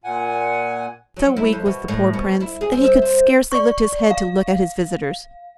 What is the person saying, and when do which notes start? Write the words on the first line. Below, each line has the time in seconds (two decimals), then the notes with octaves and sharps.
So weak was the poor Prince, that he could scarcely lift his head to look at his visitors.
0.04 A#2 F#5 G#5
1.16 F#3
1.37 E4
1.52 F2
1.66 B2
1.88 A2
2.13 B2
2.40 E4
2.61 G#4
2.73 C4
2.84 E5
3.02 C4
3.52 D5 C#6
4.10 F5